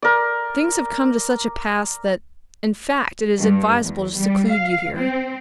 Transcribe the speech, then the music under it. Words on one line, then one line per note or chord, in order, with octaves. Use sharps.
"Things have come to such a pass that, in fact, it is advisable to seclude you here."
A#4 D5
G2
E2
G3
F5
C4